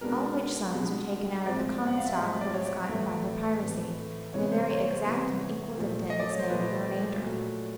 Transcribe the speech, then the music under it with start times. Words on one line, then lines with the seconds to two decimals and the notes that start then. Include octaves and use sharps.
All which sums are taken out of the common stock of what is gotten by their piracy, and a very exact and equal dividend is made of the remainder.
0.01 B2 G#3 B3 D4 A#4
0.73 B2 G#3 B3 D4
1.46 A2 F3 G#3 C4 D5
1.87 F#5
1.98 F5
2.07 E5
2.17 A2 F3 G#3 C4 D#5
2.41 D5
2.54 C#5
2.65 D5
2.89 A2 E3 A3
3.62 A2 E3 A3
4.34 C3 E3 G3 B3 C#5
4.52 C5
4.70 C#5
4.88 C5
5.05 C3 E3 G3 B3
5.78 A#2 F3 A3
6.10 D#5
6.20 D5
6.30 C#5
6.39 C5
6.50 A#2 F3 A3 B4
7.22 A#2 F#3 A3